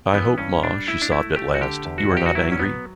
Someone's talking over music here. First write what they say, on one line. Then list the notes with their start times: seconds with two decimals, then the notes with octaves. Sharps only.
"I hope, Ma," she sobbed at last, "you are not angry?"
0.13 E3 B3
0.38 G2 C#4
0.63 G3 D4
0.87 A3 E4
1.02 D4
1.12 A3 E4
1.36 A3 G4
1.55 F#4
1.62 D3 G4
1.86 E2
1.98 F#4
2.11 E2
2.17 G4
2.26 F#4
2.35 F#3 E4
2.52 C#4
2.59 F#3 B3